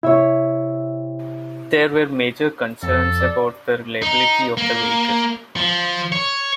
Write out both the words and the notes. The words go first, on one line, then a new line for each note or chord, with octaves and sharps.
There were major concerns about the reliability of the vehicle.
C3 E4 C#5 E5
F2 A4
D5
D#4
A#3
F3
C#5